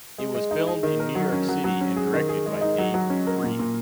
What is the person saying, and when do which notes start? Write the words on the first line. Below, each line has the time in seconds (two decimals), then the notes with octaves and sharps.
It was filmed in New York City and directed by Dave Free.
0.18 G#3
0.35 G#3
0.51 D#4
0.67 G#4
0.83 D#3
1.00 A#4
1.15 F#3
1.32 C#4
1.49 F#3
1.64 F#3
1.81 C#4
1.96 G#4
2.14 D#3
2.29 G#4
2.46 G#3
2.61 D#4
2.78 F#3
2.94 F#3
3.10 C#4
3.27 A#4
3.43 A#2
3.59 A#2